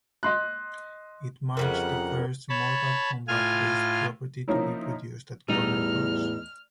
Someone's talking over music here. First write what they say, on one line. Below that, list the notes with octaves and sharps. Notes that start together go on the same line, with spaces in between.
It marks the first "Mortal Kombat" based property to be produced at Warner Bros.
D#5 C6 F#6
F2 C#3 E3 G3 A#4 F#5
C#5 A5 B5
A2 F4 G#5 F6
F3 A#3 C#4 D#4 E4
E2 A2 G3 D#4 F6